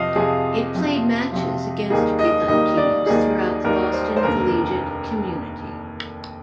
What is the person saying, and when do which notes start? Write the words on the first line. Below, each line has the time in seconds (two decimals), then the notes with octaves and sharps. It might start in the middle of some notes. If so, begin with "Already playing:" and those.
It played matches against pickup teams throughout the Boston collegiate community.
Already playing: F2 C3 F3 D#5 F5
0.15 F2 C3 F3 G#4
0.74 F2 C3 F3
1.32 F2 C3 F3
1.90 D#2 D#3 G3 A#3 D#4 G#4
2.19 D#5
2.48 D#2 D#3 G3 A#3 D#4 D#5
2.77 D5
3.06 D#2 D#3 G3 A#3 D#4 G#4
3.64 D#2 D#3 G3 A#3 D#4 A#4
3.93 C5
4.16 C5
4.23 F1 D#2 D3 A#4